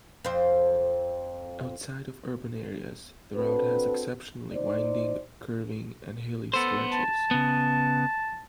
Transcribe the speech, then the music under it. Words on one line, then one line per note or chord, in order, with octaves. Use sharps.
Outside of urban areas the route has exceptionally winding, curving and hilly stretches.
F2 C5
C4 D4 F#4 A4 B4
D#4 C5 D5
B3 A4 C5
A5
C#3 B3